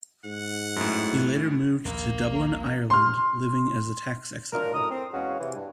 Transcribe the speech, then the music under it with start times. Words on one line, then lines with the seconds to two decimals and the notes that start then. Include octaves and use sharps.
He later moved to Dublin, Ireland, living as a tax exile.
0.25 G#2 F#5
0.76 F#2 A2
1.85 A#1 D#2 A#3
2.90 C6 F6
4.53 F#3 D4 F4 A#4
4.73 F#2 A2 A#5 D#6
4.90 C4
5.12 E2 G#3 C#4 F#4 G#4 F5
5.39 C3 E3
5.55 G2